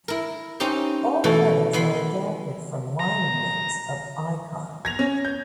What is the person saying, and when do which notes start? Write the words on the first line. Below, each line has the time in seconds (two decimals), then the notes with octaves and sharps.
All credits are adapted from liner notes of "Icon".
0.08 E4 A#4
0.60 C4 C#4 D#4 G4
1.24 B2 E3 A3
1.73 E3 B3 B5 C6
2.99 A#5
4.85 G#6 A#6 F7
4.99 C#4
5.25 G6